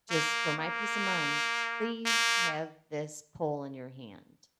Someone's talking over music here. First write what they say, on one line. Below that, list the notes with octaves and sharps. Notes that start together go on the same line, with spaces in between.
just for my peace of mind, please have this pole in your hand."
A#3
A#3
A#3